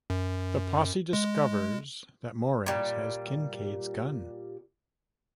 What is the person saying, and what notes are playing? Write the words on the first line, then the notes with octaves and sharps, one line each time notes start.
The posse discovers that Morez has Kinkaid's gun.
F#2
G#3
A#2 G3